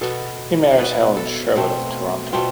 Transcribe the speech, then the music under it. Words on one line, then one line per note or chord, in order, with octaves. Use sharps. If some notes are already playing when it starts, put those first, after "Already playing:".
He married Helen Sherwood of Toronto.
B2 B3 A4
B2 B3 B4
A4
B2 A3 C4
B2 A3 C4 F4